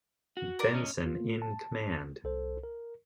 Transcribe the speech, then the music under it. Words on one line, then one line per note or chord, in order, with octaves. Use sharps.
Benson in command.
F#4
A#4 D5
C#4 D#5
F4
A5
C2 A4 C5
A#4